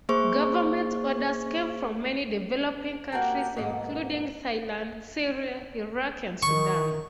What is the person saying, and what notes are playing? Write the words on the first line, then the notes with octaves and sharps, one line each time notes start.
Government orders came from many developing countries including Thailand, Syria, Iraq and Sudan.
A#3 G#4 C5 C#6
A#3 F#4 G4 A#4 G5 A5
D#2 G#2 B2 A#3 A4
D#3 C#6